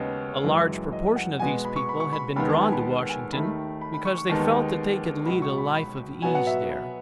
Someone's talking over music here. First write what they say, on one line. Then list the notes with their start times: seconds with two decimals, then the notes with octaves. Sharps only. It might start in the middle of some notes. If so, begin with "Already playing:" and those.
A large proportion of these people had been drawn to Washington because they felt that they could lead a life of ease there.
Already playing: D#2 C#3 G#3 B3 D#5
0.44 F#2 E3 G#3
0.93 D#5
1.16 F#5
1.40 B2 G#3 B3 G#5
1.65 B5
1.76 C#6
1.89 B5
2.00 C#6
2.13 B5
2.36 D#2 D#3 G#3 B3 B5
2.49 A5
2.61 G#5
2.72 B5
3.09 G#5
3.33 D#2 D#3 A3 B5
3.81 B5
3.94 B5
4.05 C#6
4.17 C#6
4.29 D#2 D#3 G#3 B3 A5
5.26 C#2 B2 F#3 B5
5.42 C#6
5.58 B5
5.75 B5
6.22 B2 F#3 B3 G#5
6.35 F#5
6.47 E5
6.70 B4